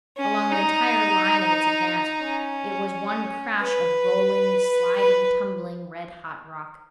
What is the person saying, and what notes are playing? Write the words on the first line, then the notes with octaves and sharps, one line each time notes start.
Along the entire line of its advance it was one crash of rolling, sliding, tumbling red-hot rock.
C#4
D#4
C#4
B4
B4